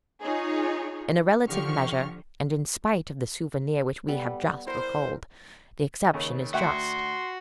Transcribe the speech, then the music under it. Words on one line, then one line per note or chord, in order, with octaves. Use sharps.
In a relative measure, and in spite of the souvenir which we have just recalled, the exception is just.
D#4 F4 G#4 C#5
D3 F3 G4 C#6 F6
G3 B3 A4
E4 A#4 C5
D#2 C#3
D2 F#4 E5 F#5 G5 C6